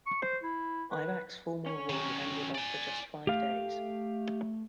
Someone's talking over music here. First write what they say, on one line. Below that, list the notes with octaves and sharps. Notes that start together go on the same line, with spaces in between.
Aybak's formal rule ended after just five days.
C#6
C5
E4
B4
C#4 C#5
D#3 F#3
D5 G#5
A3 G4 F5